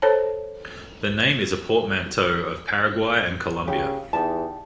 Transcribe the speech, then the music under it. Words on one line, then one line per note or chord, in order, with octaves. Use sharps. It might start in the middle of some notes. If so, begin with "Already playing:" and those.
The name is a portmanteau of Paraguay and Colombia.
A4 C5 C#5 A5
C#3 G4
E2 D#4 G4 A5